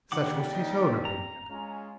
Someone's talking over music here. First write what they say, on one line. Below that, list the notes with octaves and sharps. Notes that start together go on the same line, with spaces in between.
Such was his own opinion.
D#2 D#3 G3 F#5 D6
D#4
A#5
G#3 C#4 F4